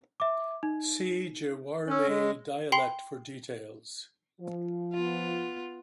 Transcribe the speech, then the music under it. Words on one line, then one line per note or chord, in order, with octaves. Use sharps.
See Jiwarli dialect for details.
E5 D6
D#4
C#4 C#5 E6
G#3
G5 B5 C6 C7 G7
F3
B3 F4